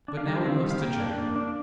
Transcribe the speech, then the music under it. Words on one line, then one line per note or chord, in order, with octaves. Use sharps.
But now we must adjourn.
D4
F5
G3 A#4
C5
C4 F5
G3
F5
A#3 G5
D4
A#3
D4